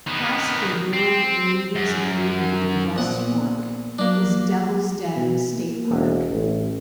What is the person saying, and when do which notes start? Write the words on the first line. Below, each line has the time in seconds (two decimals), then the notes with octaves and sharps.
Past the rural communities of Greenland and West Fork is Devil's Den State Park.
0.07 D#3 B3
0.93 C4
1.75 F#2
2.96 A#1 B3 F#5
3.99 F#3 A#3 D4
5.16 B2
5.53 A#3
5.90 E1
6.31 A1